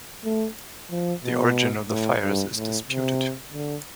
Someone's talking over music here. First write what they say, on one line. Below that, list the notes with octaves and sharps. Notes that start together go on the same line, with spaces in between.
The origin of the fires is disputed.
A3
F3
B2
A2
G2
A2
C3
D3